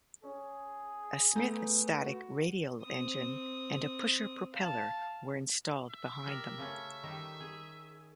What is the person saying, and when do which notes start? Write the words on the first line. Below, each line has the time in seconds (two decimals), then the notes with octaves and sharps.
A Smith Static radial engine and a pusher propeller were installed behind them.
0.23 C#4 G#4
1.36 A3 B3 G#5 A#5 G6
2.02 F#4
2.82 C4 D#6
4.53 F5 A5
5.90 E5
6.26 G4 A#4 D5
6.58 C#3 A3 C#4
7.03 D#3 G3 D#4
7.40 G#4